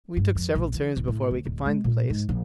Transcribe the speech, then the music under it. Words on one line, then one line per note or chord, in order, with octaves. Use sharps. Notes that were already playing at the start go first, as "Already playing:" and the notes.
We took several turns before we could find the place.
G2
F2
A#1
E3
D1
A2
D2
D1
G#3
A#2
G#2
A#1